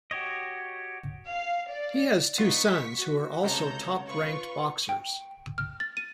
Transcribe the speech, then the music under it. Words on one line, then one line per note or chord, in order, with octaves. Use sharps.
He has two sons who are also top-ranked boxers.
F#4 G4 C#5 D#5
F5
D5
B3 D#4 F4 C#6 B6
F#4
C#2 C3 A4 C#5 A#5 G6
F4 B4 C#6
G5
F6
A6
D#7